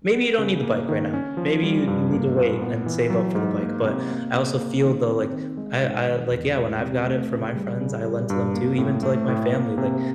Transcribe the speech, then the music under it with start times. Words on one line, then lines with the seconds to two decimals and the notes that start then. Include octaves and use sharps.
maybe you don't need the bike right now. Maybe you need to wait and save up for the bike," but, I also feel though, like, I I like yeah, when I've got it for my friends, I lend to them too, even to, like, my family, like,
0.14 B3
0.38 C#3
0.63 A#3
0.89 D#3
1.13 C#4
1.37 F3
1.63 G3
1.87 G2
2.12 A#3
2.37 A#2
2.62 B3
2.86 E3
3.10 F#3
3.35 G#2
3.60 A#3
3.84 C3
4.09 A#3
4.34 C#3
4.58 A#3
4.83 D#3
5.09 C4
5.33 D#3
5.57 G#3
5.83 G#2
6.07 D#3
6.31 E2
6.56 G#3
6.80 C3
7.06 A3
7.31 C#3
7.55 G3
7.80 C#3
8.04 G3
8.30 G2
8.54 A#3
8.78 A2
9.03 A3
9.28 A2
9.52 A#3
9.78 C3